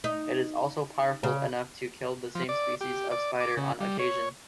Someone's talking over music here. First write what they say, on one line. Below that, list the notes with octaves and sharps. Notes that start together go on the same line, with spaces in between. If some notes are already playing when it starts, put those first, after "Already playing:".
It is also powerful enough to kill the same species of spider on occasion.
D#4
C#3
F3
D5
G4
D5
D6
C#3
G3
C#5